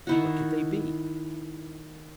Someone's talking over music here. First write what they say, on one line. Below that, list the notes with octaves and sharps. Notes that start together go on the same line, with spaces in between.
What could they be?
D#3 E4 F#4